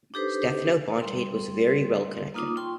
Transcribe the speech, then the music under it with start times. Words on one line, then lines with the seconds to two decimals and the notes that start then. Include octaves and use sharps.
Stefano Bontade was very well connected.
0.14 D4 D#4 G4 A4 B4 C5
1.00 G3 C6
2.34 A#3 D#4 F4 D6 D#6
2.57 F4 G5 C6 C#6